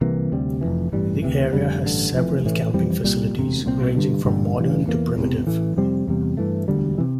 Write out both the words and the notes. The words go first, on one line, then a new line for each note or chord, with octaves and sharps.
The area has several camping facilities, ranging from modern to primitive.
C2 C3 E3 A#3
D2 C3 G3
F1 F2 E3
A1 G2 E3 G3
D2 C3 E3
F1 F2 D3 G3
A1 G2 D3
F1 F2 E3
A1 A2 E3
F2 E3 G3 C4
C2 A#2 G3
E1 D2 C3
C2 A#2 F3 C4
G2 D3 G3
A1 G2 D3 G3
A1 G2 E3
E2 E3 A#3
E1 E2 C3
A1 A2 E3 A3
F2 C3 G3 C4
E2 C3 G3
G2 E3 A3
E1 D2 D3 G3
C3 E3